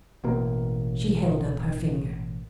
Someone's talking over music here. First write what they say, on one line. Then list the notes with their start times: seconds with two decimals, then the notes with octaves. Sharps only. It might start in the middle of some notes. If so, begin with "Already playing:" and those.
She held up her finger.
0.24 A1 B2 A#3